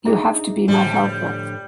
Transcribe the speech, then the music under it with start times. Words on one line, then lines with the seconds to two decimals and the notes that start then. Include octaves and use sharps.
You have to be my helper.
0.05 D4 D#4 G#4 E5 A#5
0.68 A2 D3 F3 G3